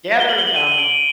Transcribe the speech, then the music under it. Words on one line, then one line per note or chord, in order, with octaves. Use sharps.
Gathering um
G7
F#7
G7
F#7
D#7
D#7
D7